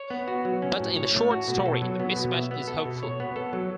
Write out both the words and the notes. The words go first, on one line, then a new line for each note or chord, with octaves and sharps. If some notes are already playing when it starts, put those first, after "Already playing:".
But in the short story the mismatch is hopeful.
Already playing: C#5
B3
F#4
F#3
C#4
A2
C#5
A3
F#4
B2
A4
F#3
B3
B2
E5
B3
A4
B2
C#5
B3
A4
F#3